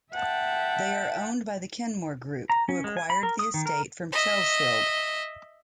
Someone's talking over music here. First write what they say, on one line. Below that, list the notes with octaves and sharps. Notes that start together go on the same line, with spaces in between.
They are owned by the Kenmore Group, who acquired the estate from Chelsfield.
E5 F#5 G5 A5
A#5
C#4
G#3
G#5
B5
A#4
D#6
D#3
A#4
D#5 E5